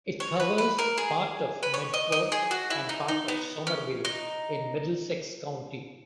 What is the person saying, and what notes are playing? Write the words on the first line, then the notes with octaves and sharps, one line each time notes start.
It covers part of Medford and part of Somerville in Middlesex County.
C#5
B4
B4
A#4
G#4
B4
C#5
D#5
D#5
G#4
F#4
E4
D#4
D#4
B3
C#4
D#4